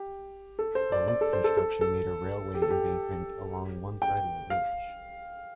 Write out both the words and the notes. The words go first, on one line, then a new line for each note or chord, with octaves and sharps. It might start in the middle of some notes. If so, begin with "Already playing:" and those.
The loop construction made a railway embankment along one side of the village.
Already playing: G4
A4
C5
D5
D5
A4
C5
A4
A4
A4
G4
A4
G4
G5
F5